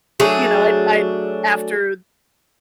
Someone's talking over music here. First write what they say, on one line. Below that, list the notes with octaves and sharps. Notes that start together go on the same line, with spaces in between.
you know, I'd I'd after
F#3 A3 D4 G#4